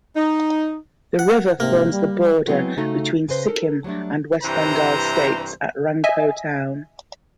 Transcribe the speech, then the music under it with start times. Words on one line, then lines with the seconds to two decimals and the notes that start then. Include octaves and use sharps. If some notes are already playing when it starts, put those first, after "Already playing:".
The river forms the border between Sikkim and West Bengal states at Rangpo town.
0.16 D#4
1.19 F#5
1.60 G#2 C3 A#3
1.92 G3
2.47 F#3 G#3 B3 C4 E4 F#4
2.77 C#3 A3 D#4 F#4 A4
3.28 C#3 G#4 B4 C5
3.48 D#4 A4 A#4
3.84 F#3 G3 A3 D4
4.43 G2 C3 E3 C5 A#5
6.04 D#5 E5 G#5